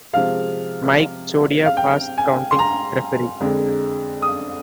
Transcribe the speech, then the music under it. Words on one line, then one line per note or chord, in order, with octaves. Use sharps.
Mike Chioda- Fast-counting referee.
C3 F3 G#3 F5
F5
G5
G#5
C6
A#5
F2 D3 G#3
D#6